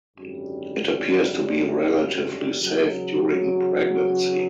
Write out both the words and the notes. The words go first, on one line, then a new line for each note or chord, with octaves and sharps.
It appears to be relatively safe during pregnancy.
G#1 F#2 D3 G3
E2 C#3 F#3